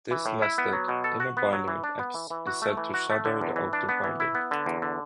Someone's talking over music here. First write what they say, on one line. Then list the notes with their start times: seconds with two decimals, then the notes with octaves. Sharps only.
This nested, inner binding of x is said to "shadow" the outer binding.
0.10 E3
0.26 A2
0.42 E4
0.58 B3
0.73 F#3
0.88 B2
1.04 A4
1.20 F#4
1.37 B3
1.53 F#3
1.68 E3
1.84 D4
1.99 B3
2.14 E3
2.30 E3
2.47 F#4
2.62 A3
2.77 E3
2.94 F#4
3.10 A3
3.25 D3
3.41 E2
3.56 E3
3.73 D4
3.89 B3
4.04 E3
4.20 E4
4.35 B3
4.51 D3
4.66 E2
4.82 D3